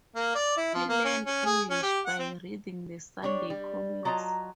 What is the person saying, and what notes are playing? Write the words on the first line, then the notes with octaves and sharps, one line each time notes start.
He learned English by reading the Sunday comics.
A#3
D5
E4
F3
A#3
C#4
C#4
G#4
C#4
G4
F#5
C4
G3 D4 C#5
G3
F#3 F4 D#5 A5 A#5